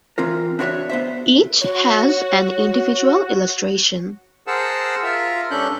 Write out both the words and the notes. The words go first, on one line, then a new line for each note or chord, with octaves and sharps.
Each has an individual illustration.
E3 C4 F4 A#4
D4 E4 F#4 C5 C#5 E5
B3 C5 E5
F#4 C#5
G#4 A#4 C5 F#5 A5 E6
F4 A#4 E5
G2 C#4 D4 A4 F#6 G6